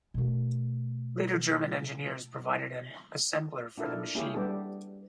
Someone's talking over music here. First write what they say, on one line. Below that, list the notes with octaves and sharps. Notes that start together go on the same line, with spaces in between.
Later German engineers provided an assembler for the machine.
B2 A3
D4 E4 F4 A4 A#4
A#3 C#4 E4 G4 G#4
G3 B3 D4 G4 A4